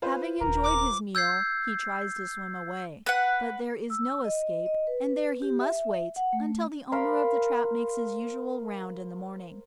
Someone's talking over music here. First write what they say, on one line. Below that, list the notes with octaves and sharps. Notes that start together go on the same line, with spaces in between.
Having enjoyed his meal he tries to swim away; but there is no escape, and there he must wait until the owner of the trap makes his usual "round" in the morning.
F4 B4 C5
D#1 D#3 A#4
D6
E6 G6 G#6 C7
B4 F#5
E6
D#5
D#5
B4
G4
E5
F#5
A3
A#4 C5 F5 B5